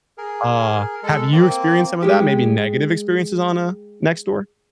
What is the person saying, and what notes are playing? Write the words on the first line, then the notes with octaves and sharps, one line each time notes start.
Uh, have you experienced some of that, maybe negative experiences on, uh, Nextdoor?
G#4 A#4
G#3 A4
A#3 C4
G#3 G4